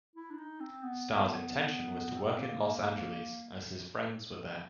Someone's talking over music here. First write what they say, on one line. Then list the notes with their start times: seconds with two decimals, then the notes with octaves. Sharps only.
Starr's intention was to work in Los Angeles as his friends were there.
0.16 E4
0.31 D4
0.38 D#4
0.60 C4
0.83 B3
2.16 C4
2.39 A#3